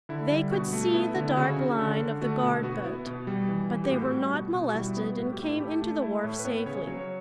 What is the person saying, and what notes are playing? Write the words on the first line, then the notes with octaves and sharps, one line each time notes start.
They could see the dark line of the guard-boat, but they were not molested and came into the wharf safely.
D3 E4
G3
B2 F#4
A3
B3 E4
D3
E4
C#3 F#4
C#3
D3
D3
A3 F#4
B2
B3 F#4
F#4
B3 E4
B2
G3
E3
E3
G4
A2 F#4
G3
B2
B2
F#4
G3 E4
B3
A2 F#4
G4
A2
E4
A3 G4
A3
A3 E4
A2 C#5
B4
B3 C#5
C#3 C#5
C#5
F#3 C#5